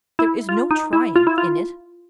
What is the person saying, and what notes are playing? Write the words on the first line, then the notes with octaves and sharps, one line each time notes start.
There is no triumph in it.
E4
F4
D#4
E4
F4
E4
F4